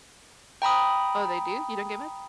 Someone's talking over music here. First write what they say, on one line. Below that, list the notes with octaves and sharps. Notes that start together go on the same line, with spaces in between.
Oh, they do? You don't get mad?
G5 A#5 B5 D#6